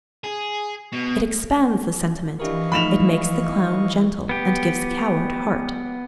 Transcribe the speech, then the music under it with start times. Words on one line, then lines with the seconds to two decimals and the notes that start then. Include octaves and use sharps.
It expands the sentiment; it makes the clown gentle and gives the coward heart.
0.24 G#4
0.92 B2
2.40 E3 D4 G4 A#4 D#5 F5 C#6
2.72 F3 A3 D#4 B5 E7 F7
4.29 B3 G4